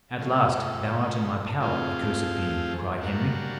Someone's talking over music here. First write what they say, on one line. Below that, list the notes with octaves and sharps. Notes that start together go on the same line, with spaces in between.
"At last, thou art in my power, accursed being!" cried Henry.
C#3 F3 A3
F3 A3 C4 F4 G#4
G3 A#3 D4 F#4